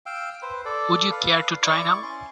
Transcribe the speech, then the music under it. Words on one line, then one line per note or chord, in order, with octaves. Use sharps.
Would you care to try now?
F5 G5 E6
B4 C5
A4 D5
B4 F5
E4 D5 C#6 D6
C#4 C6